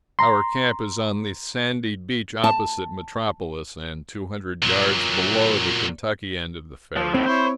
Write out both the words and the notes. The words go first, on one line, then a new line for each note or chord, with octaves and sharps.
Our camp is on the sandy beach opposite Metropolis, and two hundred yards below the Kentucky end of the ferry.
A#5 C6
A5
A#2 F#3
F3
D#2 A2 C4
E4 C5 C#5